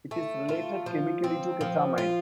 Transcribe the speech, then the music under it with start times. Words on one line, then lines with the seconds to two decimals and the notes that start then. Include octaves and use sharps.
It is related chemically to ketamine.
0.11 A3
0.49 F4
0.86 F3
1.24 C4
1.61 F3
1.98 F4